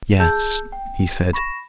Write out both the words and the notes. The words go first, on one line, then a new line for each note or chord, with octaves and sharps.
"Yes," he said.
G#4 A5 E6 G6
G5
B5 C#6 A#6 E7